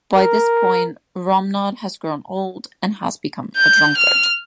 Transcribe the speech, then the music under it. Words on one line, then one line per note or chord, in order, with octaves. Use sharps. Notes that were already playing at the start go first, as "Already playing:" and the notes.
By this point, Romnod has grown old and has become a drunkard.
A#4
G6
F6